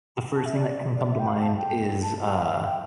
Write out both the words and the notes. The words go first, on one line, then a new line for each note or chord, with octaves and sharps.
the first thing that can come to mind is, uh,
A5
E5
D5
D5
E5
G5
F5
A5
G5
A5
G5
F5
E5
F5
G5